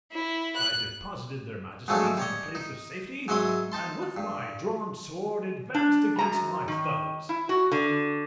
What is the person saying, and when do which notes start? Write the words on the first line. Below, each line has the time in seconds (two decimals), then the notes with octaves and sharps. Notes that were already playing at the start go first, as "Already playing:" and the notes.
I deposited their Majesties in a place of safety, and with my drawn sword advanced against my foes.
0.12 E4
0.56 F#6
1.88 G#2 D3 F3 F#3 G#3 A3
2.17 G3 C#5 D#5
2.55 D#4
3.28 G#2 F#3 D#5 E5 C6 D#6
3.72 D#4 A5 C6
4.17 G2
5.74 D4
6.19 F#2 A#5
6.68 D#3
7.29 E4
7.49 F#4
7.72 D3